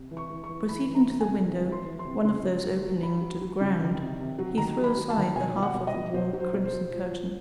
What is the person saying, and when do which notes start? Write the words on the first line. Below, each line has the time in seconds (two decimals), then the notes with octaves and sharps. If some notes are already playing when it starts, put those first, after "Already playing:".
Proceeding to the window, one of those opening to the ground, he threw aside the half of the warm crimson curtain.
Already playing: C3
0.11 E3
0.17 C#6
0.30 E3
0.44 C#6
0.49 E3
0.69 E3 B5
0.89 E3
0.95 A#5
1.08 C3
1.21 G#5
1.27 C3
1.47 E3
1.66 E3
1.72 C6
1.85 E3
1.99 C6
2.05 C3
2.25 C#3 C6
2.44 F#3
2.63 F#3
2.82 F#3
3.03 F#3 B5
3.21 F#3
3.41 F#3
3.61 C#3
3.81 D#3
4.00 C3
4.19 C3
4.39 F#3
4.58 D#3 A#5
4.78 F#3
4.84 B5
4.97 F#3
5.10 A5
5.17 D#3
5.36 B2 G#5
5.56 B2
5.62 F#5
5.74 B2
5.87 D#5
5.94 B2
6.13 B2 C5
6.33 F#3
6.40 C5
6.53 B2
6.65 C5
6.72 F#3
6.91 F3
7.11 F3